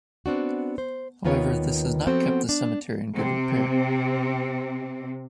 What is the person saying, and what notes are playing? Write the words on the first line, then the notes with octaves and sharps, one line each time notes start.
However, this has not kept the cemetery in good repair.
B3 C4 D4 F#4
C5
D#2 D#3 B3 F4 B4 C#5
F3 B3 C4 F#4 A4 C5
D4
C3 C4